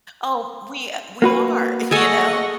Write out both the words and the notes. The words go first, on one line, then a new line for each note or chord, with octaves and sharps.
Oh, we a we are, you know?
A#3 F#4 B4
G#4 A4 D#5 F#5 G#5 C#6